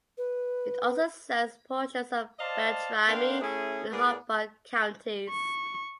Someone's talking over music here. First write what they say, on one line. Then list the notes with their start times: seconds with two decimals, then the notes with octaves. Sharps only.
It also serves portions of Beltrami and Hubbard counties.
0.18 B4
2.39 C5 D5 D#5 F5 A5
3.07 B3 D4 A#4 F5 G5 C6
3.41 A3 C#4 E4 G#4
3.92 A2 B3 G#4 A#4 D5
5.30 C#6